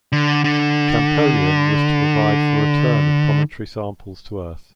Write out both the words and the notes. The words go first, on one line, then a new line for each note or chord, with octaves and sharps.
Champollion was to provide for return of cometary samples to Earth.
D3
D3